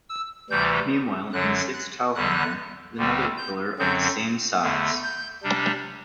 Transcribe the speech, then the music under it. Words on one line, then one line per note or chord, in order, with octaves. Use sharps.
Meanwhile, in the sixth talhamare is another pillar of the same size.
E6
D2 C3 E3 G3 G6
F#2 D3 F#3 F#6
F#6
E2 D3 G3 F#6
D2 D3 G3 C4
G6
F#2 D3 F#3 C4 G6
E2 D3 A3
G6
C3 G3 D4